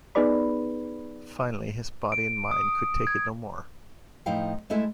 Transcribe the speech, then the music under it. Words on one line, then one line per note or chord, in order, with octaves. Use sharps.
Finally, his body and mind could take it no more.
B3 D#4 G#4 B4 D5 B5
D7
D#6
G#6
A2 F3 D#4 E4 F5 G5
G#3 A3 E4 A4 E5